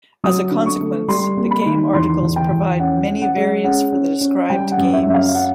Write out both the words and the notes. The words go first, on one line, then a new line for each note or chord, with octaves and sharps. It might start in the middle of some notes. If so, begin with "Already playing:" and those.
As a consequence, the game articles provide many variants for the described games.
F#3 D#6
D3
C#6
A3
G3 C6
A#3
B5
D#3
E2 C6
E2
G5
E2
C#4 F#5
C#4
F#5
G#3
C#4 F#5
C#4
C#4
G3 G5
F#5
F#2
E5
F#2 E5
F5
F#5